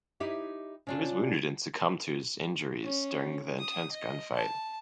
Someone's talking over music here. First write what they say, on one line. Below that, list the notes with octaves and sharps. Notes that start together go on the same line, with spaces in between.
He was wounded and succumbed to his injuries during the intense gunfight.
D#4 E4 G4
C#3 D4 F4
C#4
D#6
D#5
A5